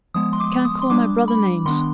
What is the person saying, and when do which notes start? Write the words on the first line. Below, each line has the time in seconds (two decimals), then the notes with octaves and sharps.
"You can't call my brother names."
0.14 F3 G#3 B3 D#6
0.33 C6
0.40 D6
0.65 D#6
0.82 C6
0.90 G3 D4 D6
1.28 B5
1.66 D#3 B3 D4 C6